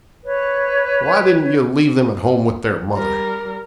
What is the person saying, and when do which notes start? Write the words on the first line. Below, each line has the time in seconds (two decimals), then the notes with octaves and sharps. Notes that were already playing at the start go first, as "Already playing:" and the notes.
Why didn't you leave them at home with their mother?
0.24 B4 C#5
2.94 G3 A#4